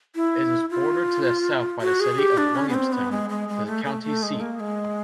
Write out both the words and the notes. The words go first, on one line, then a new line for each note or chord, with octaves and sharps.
It is bordered to the south by the city of Williamstown, the county seat.
E4
F4
F#4
G#4
G4
D4
C#4
B3
C4
B3
G#3
G#3
G#3
A3
A3
A3
G#3
A#3
G#3